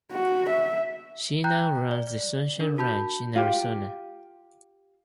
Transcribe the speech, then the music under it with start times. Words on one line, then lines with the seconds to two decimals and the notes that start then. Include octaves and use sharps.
She now runs the Sunshine Ranch in Arizona.
0.12 F#4
0.50 E5
1.44 G5 A#5 F#6 G6
1.91 D5
2.07 D5
2.60 D4 A#4
2.78 F#4 A5 B5 G6
3.36 F4 G4